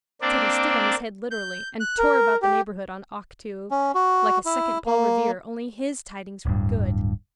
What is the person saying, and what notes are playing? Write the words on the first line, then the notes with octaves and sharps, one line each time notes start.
Teddy stood on his head literally, and tore about the neighbourhood on Octoo, like a second Paul Revere--only his tidings were good.
A#3 C4 D4 D5
G6
F#6
A#4
G4
C#4
F#4
E4
A#3
D1 G2